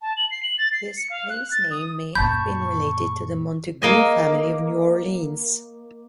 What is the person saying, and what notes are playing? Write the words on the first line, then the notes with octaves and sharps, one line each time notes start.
This place name may have been related to the Montegut family of New Orleans.
A5
F#7
C7
F#7
A6
C7
C#7
F5
F#6
A6
D#6
F#2 A#2 A5 B5 C#6 G6
A#3 D#5 G#5